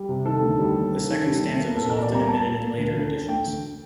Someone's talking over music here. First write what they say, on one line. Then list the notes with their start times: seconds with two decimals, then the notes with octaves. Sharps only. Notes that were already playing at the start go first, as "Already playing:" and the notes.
The second stanza was often omitted in later editions.
Already playing: G3 G4
0.09 C3
0.26 D#3 A4
0.42 D2
0.59 G3
0.76 D#2
0.93 A#3
1.09 D#3
1.26 G3
1.43 D#2
1.61 A#3
1.77 A#2 A4
1.89 A#2 A#4
2.01 D5
2.10 G3 A#5
2.27 A#3 A5
2.44 A#2
2.61 A#2
2.78 D2
2.94 D2
3.11 D3
3.28 A3 G5
3.46 D2